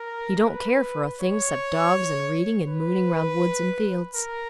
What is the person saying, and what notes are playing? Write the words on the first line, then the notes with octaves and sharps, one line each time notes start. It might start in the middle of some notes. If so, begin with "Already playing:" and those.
He don't care for a thing 'cept dogs and reading and mooning round woods and fields.
Already playing: A#4
B4
C#5
B4
A#4